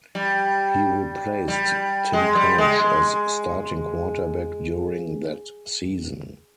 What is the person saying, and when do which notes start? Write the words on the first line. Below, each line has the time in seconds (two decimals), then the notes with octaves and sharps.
He replaced Tim Couch as starting quarterback during that season.
0.15 G3
1.48 G3
2.13 G#3
2.35 G3
2.58 G#3
2.80 G#3